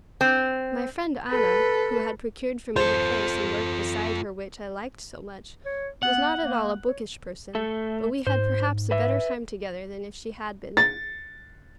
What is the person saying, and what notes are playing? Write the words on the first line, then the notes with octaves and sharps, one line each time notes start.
My friend Anna, who had procured for me the place and work beside her which I liked so much, was not at all a bookish person, but we had perhaps a better time together than if she had been.
C4
A4 B4
F4 A4 C5
C#5
B3 F#5
A#3
C#5
A3 A4
G#2 C5
B4 E5
A6